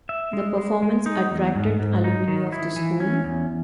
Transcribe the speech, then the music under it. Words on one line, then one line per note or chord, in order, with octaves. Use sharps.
The performance attracted alumni of the school.
E5
G#3
G#3
G#3
D#4
E2
G#2
G#2
D#4
D#3
E4
E3
C#4
E2